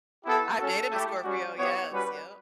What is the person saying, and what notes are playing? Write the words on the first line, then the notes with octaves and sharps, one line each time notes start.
I've dated a Scorpio, yes, yep.
B3 E4 G4 A4
C#4 F#4 A4
A3 E4 G4
G3 C#4 F#4
B3 E4 G4 C#5
G3 C#4 F#4 B4